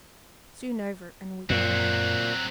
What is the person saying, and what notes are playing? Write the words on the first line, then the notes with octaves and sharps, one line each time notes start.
Soon over and we go on.
F#2 A#2 F#3 C4 F#6